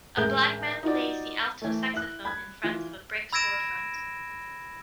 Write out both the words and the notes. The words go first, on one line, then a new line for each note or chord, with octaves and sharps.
A black man plays the alto saxophone in front of a brick storefront.
A1 G#3 A#4 E5 G6 G7
D#4 F4 F#4 D5
E3 A3
E4 F#6
B5 G#6
E3 F4
B5 E6 G#6 A#6 D7 E7